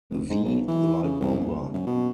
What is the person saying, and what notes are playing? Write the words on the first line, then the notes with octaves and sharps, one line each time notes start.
V light bomber.
F1
G#2
B1
E3
C#3
C2
A#1
F#2
B2